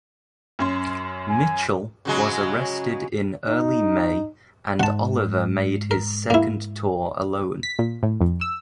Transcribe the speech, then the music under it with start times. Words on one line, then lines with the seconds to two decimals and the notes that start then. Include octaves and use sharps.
Mitchell was arrested in early May and Oliver made his second tour alone.
0.59 F#2 C#4 C6
1.30 G#5
2.05 C#3 F#3 G#3
3.47 D#4
4.80 C#2 G#2 F#5 A5
5.91 A#4
6.30 A#3 E4
7.63 B6
7.79 A#2
8.03 A2
8.21 F2
8.41 E6